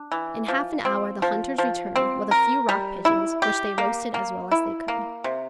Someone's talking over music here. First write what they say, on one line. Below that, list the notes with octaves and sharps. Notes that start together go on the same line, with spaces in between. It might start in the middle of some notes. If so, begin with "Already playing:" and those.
In half an hour the hunters returned with a few rock pigeons, which they roasted as well as they could.
Already playing: D4
E3
F3
C4
F3
F3
C4
A#4
G3
E4
G4
A#3
A#3
E4
A#3
C3